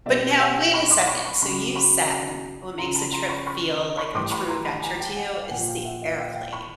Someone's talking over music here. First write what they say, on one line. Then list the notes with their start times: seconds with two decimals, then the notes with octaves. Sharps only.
But now, wait a second, so you said what makes a trip feel like a true adventure to you is the airplane,
0.06 B2 G3 D5 E5
0.40 E5 F#5
0.57 F5 G5
0.74 B5 C#6
0.91 C6 D6
1.07 B5 C#6
1.25 B5 C#6
1.42 C#3 F#3 B5 C#6
1.75 B5 C#6
2.78 C#3 F3 A#5 C6
2.95 A5 B5
3.12 A#5 C6
3.29 B5 C#6
3.47 B5 C#6
3.97 B5 C#6
4.14 A2 E3 G3 C6 D6
4.31 B5 C#6
4.49 A#5 C6
4.65 A5 B5
4.82 G#5 A#5
5.00 G5 A5
5.16 F#5 G#5
5.33 F5 G5
5.50 A#2 F3 F#5 G#5
5.68 F5 G5
5.85 E5 F#5
6.02 D#5 F5
6.19 F5 G5
6.35 F5 G5
6.52 B5 C#6